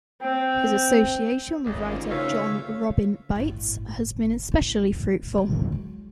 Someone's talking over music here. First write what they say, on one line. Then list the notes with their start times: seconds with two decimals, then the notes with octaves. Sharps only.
His association with writer Jon Robin Baitz has been especially fruitful.
0.21 C4 G5
1.66 G#1 D2 D#3 C#4 F4 G#4 D5 D#5
2.10 C#3 C#5 E5 F5
3.35 G1 A2
4.52 A1
5.33 D3 F#3
5.72 F#3 G#3